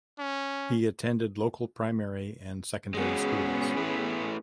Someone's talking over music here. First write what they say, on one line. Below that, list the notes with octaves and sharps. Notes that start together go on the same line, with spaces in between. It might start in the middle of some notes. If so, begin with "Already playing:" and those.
He attended local primary and secondary schools.
C#4
G#3 B3 C#4 F#4 G#4
A3 E4 B4